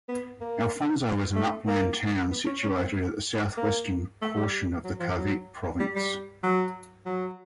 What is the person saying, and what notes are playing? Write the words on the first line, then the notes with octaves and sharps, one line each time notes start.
Alfonso is an upland town situated at the south-western portion of the Cavite province.
B3
A#3
A3
A#3
B3
C#4
C#4
C4
A#3
A3
G3
F#3
F3
F#3
G3
G3
F#3
F#3